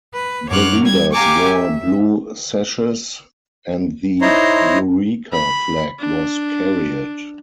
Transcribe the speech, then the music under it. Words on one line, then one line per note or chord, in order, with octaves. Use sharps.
The leaders wore blue sashes and the Eureka Flag was carried.
B4
F#2 C#5 D6 F6 F#6
G3 G#6
G4 F5 G#5 A#5 C#6 D6
E5
D#4 E4 C5 C#5 A#5 C6
B5
D4